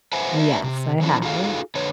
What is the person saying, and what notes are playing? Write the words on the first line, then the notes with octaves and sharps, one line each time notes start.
Yes, I have.
B4 C5 E5 F#5 G#5
D4 E5
C3
E3 F3 C#4 D4 E4
D#4 F4 F#4 G#4 A4 F5
D3 B4 C#5